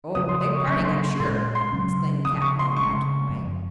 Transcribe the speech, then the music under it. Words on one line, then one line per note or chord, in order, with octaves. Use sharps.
"Oh; beg parding, I'm sure!" exclaimed Cap'n Bill backing away.
C#3 F3 C4 D#6
C6
D#6
C#6
C#3 F#3 A#3 C#4 C#6
C6
C6
A#2 G#3 C#4 C6
C6
C#3 F#3 C#4
C#3 F3 C4 D#6
C#6
C6
C#3 G#3 C#4 C#6
F#2 F3 C4